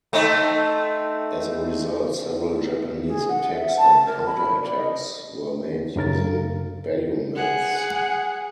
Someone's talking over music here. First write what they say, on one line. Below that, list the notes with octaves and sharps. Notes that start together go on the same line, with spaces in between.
As a result, several Japanese attacks and counterattacks were made using bayonets.
A3 C4 D#4
G#4
F#5
E5
A5
A#4
B5
D5
D#5
F#2 C#3 A#4 A6
G#4 F#5